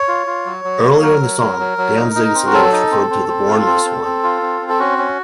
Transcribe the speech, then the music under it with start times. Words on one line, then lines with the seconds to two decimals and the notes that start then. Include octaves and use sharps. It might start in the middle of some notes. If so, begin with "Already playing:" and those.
Earlier in the song, Danzig's lyrics refer to "the Bornless One".
Already playing: C#5
0.08 F4
0.27 F4
0.46 F#3
0.64 F#3
0.84 A#3
1.02 F#3 A#4
1.21 F#3
1.40 F#3
1.59 F#3
1.78 F#3
1.96 D#4
2.15 D#4
2.34 C4
2.47 F#4
2.53 F#3 A4
2.72 D#4
2.91 C4
3.10 C4
3.29 C4
3.47 F4
3.66 C4
3.85 C4
4.04 C4
4.23 F4
4.42 C4
4.61 C4
4.69 A4
4.79 C#4 F#4
4.98 C#4